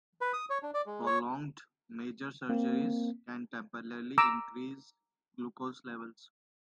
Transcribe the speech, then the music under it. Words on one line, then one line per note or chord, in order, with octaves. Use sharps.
Prolonged, major surgeries can temporarily increase glucose levels.
B4
D#6
C#5
D4
D5
G#3
C#5
A#3 C4
A#5 D6 E6